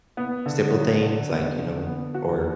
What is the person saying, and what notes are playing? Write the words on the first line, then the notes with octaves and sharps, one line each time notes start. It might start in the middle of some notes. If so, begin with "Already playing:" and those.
simple things, like you know or
B3
D3
F#3
D3
B3
D3
B3
F#4